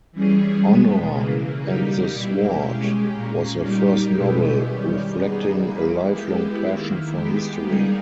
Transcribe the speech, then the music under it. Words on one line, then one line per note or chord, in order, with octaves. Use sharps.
Honour and the Sword was her first novel, reflecting a lifelong passion for history.
E3 G3 C#4 G#4
B2 G#3 B3
C#3 E3 A#3
G3 A#3 D#4 G4
B2 A#3 E4 G4
G#3 C#4 G4
A#2 A#3 C#4
G3 A#3 D#4 G4
B2 G#3 B3 E4 G4
D#3 G3 C#4 G4
G3 B3 D#4 G#4
E3 A#3 E4
G#3 B3 E4 G4
D#3 A#3 E4
G#3 B3 G4
G3 A#3 D#4 G#4